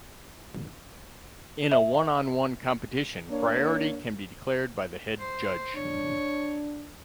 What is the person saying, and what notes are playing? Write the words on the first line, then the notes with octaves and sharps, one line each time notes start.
In a one-on-one competition, priority can be declared by the Head Judge.
E5
A#3 D4 C#5
C5
D4 C#5